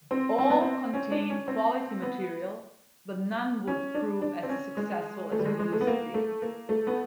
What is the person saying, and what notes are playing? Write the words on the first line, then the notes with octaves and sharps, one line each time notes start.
All contained quality material, but none would prove as successful as "Blues' Theme".
C4
C4
B3
C4
C#4
D4
C#4
C4
B3
C#4
D4
D4
C4
C#4
G#3
A3
G3
G#3
G#3
A3
B3
A#3
A3
A#3
A3
B3